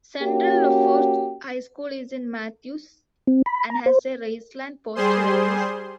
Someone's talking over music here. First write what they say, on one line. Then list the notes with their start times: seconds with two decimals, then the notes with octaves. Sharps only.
Central Lafourche High School is in Mathews, and has a Raceland postal address.
0.22 A#3 C#4 F#4 G4
3.27 C4
3.46 B5
3.70 A#5
3.86 C5
4.95 G3 G#4 C5 C6